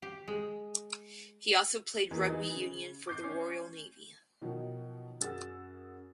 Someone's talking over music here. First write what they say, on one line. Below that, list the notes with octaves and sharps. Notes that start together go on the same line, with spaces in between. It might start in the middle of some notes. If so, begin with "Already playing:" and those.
He also played rugby union for the Royal Navy.
G4
G#3
E2 E3 A#3
E3 D#4
C#3
D6 G6 C7
C#4
B2 D#3 F3 F#3
F#2 F#4 G#4 F#5 E6 A6